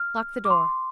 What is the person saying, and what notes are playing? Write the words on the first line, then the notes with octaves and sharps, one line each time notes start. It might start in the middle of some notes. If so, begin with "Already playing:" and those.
Lock the door.
Already playing: F6
D6
C6